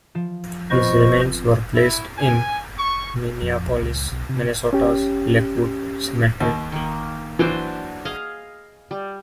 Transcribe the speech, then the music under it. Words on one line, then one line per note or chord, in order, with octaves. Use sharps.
His remains were placed in Minneapolis, Minnesota's Lakewood Cemetery.
F3
B3 C4 F4 C5 D#5 C#6
E4
G#5
C#6
F2
B1
C#2
B1
C3
C#4 G4
D#2
D#3 A#3
E3 F#3 D4 C5
G#4 D#5 F5
G3